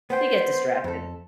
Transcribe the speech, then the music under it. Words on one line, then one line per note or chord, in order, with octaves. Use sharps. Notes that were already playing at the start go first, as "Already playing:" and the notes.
You get distracted.
B3 C5 G5
F2 A4